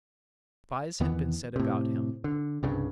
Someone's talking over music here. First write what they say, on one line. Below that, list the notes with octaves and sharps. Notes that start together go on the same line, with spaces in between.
Spies had been set about him.
E2 D#3 E3 B3
A2 C3
D3
C2 G2 C#3